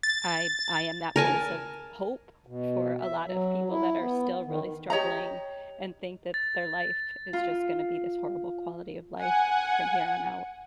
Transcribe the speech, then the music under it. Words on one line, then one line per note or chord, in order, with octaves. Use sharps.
I I am that voice of hope for a lot of people that are still really struggling, and think that their life is just gonna be this horrible quality of life from here on out.
A6
A#4 G#5 A5
B2
E5
F#3
E4
B3
D#3
G4 C#5 D#5 A#5
A6
F4
F#5 G#5